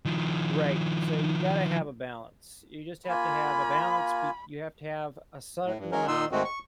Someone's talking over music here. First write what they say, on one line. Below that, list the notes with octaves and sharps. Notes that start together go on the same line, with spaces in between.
Right. So you gotta have a balance. You just have to have a balance b you have to have a certain amount
D#3 F3
A#3 F4 G#5 B5
A2
G2
F#3 G#3 C#4 A#4
A#2 D#4 F4 C6 E6
G#2 D#3 G#3 A3 C4 F#4
C#6